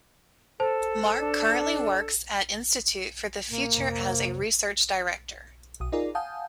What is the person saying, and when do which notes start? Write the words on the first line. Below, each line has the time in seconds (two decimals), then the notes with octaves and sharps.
Mark currently works at Institute for the Future as a Research Director.
0.60 A4 C5 A5
1.22 D4
3.50 A#2 A#3
3.75 F2 C3 A#5
5.80 B1 D#6
5.92 D#4 F4 G#4 A#4 D5
6.15 F5 F#5 G#5 A5 D#6 G6